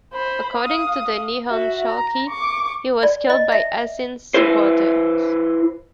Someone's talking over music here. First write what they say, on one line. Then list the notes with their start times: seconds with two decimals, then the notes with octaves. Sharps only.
According to the "Nihon Shoki", he was killed by Asin's supporters.
0.13 C5 B5
0.56 F5 D#6
1.49 F#4 E5
1.88 A#5
2.29 C#6 D6
3.03 D5
3.30 D#5
3.52 E5
4.34 E4 B4 C5